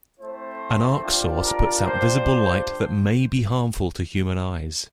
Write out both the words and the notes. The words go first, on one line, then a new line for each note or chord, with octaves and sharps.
An arc source puts out visible light that may be harmful to human eyes.
A3 C4 E4 C5
G3 D4 F4
A#4
G3 D4 F4 C5